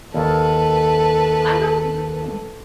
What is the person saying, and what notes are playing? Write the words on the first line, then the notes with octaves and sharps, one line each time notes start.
I don't know,
D#2 A4 B4